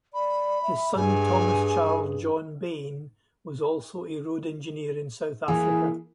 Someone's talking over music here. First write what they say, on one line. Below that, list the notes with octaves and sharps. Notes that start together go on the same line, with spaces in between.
His son Thomas Charles John Bain was also a road engineer in South Africa.
D5 B5
E5
G2 G#4 G#5
E3 A#3 E4 G#4